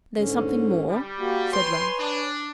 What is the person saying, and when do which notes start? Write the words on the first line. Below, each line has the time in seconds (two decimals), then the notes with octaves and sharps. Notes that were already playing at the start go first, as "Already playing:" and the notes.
'There's something more,' said Ralph.
0.16 G#2 D3 C#4
0.89 G3
1.19 A#3 F#4 G4
1.52 B4 C#5 G5 G#5 C6
1.99 D4